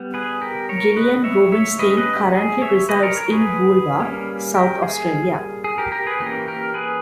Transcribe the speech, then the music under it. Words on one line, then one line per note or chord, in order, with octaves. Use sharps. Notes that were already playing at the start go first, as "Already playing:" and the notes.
Gillian Rubinstein currently resides in Goolwa, South Australia.
Already playing: G3 B3
G#4 B4
G4 A#4
A#4 C#5
B4 D#5
C#5 E5
C#5 E5
G3 C#4 B4 D#5
B4 D#5
G4
G#4
C#5 E5
B4 D#5
A#4 C#5
A#4 C#5
G#4 B4
G3 A#3 C#4
G4 A#4
G#4
G#4
G4 A#4
G4 A#4
G#4 B4
E3 A#3 C#4 G4 A#4
G4 A#4
G#4 B4